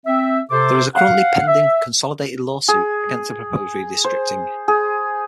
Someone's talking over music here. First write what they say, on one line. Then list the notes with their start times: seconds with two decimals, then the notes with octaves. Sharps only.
There is a currently pending consolidated lawsuit against the proposed redistricting.
0.06 C4 E5
0.51 C3 A4 C5 D6
0.95 F5 F#5
1.47 E5
2.68 G#4
4.04 C5
4.68 G#4